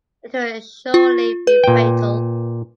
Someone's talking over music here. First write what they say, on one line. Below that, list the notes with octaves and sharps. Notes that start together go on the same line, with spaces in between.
It will surely be fatal.
F4
B4
A#2 G5